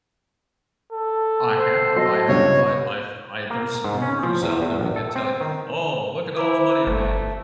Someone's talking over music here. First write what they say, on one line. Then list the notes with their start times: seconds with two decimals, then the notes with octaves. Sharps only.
I have, I have, I I've I there's gurus out there that could tell you, "Oh, look at all the money I made,"
0.92 A4
1.56 C5
1.96 F#3 C5 D#5 C7
2.28 C#2 G2 G3 C#5
3.50 A#3
3.84 G#2
4.02 C#4
4.23 F3
4.43 E2
4.62 E2
4.80 A#1
4.96 A4
5.16 C4
5.41 D#3
6.37 E4 C5 A#5 D6
6.87 G1 A3